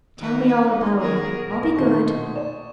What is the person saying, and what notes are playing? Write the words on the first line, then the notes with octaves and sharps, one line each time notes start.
"Tell me all about it; I'll be good."
D#3 A#4 B4
C#4 D#4
D#3 B3 G#4 A#4 C#6 D#6 G#6
A#2
B2 D#3 D#4 C6 C#6
D5 E7